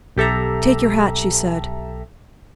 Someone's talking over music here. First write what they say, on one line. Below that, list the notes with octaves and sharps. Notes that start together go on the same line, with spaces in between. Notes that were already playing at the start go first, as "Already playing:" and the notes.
"Take your hat," she said.
B1 G4 A4 E5 A#5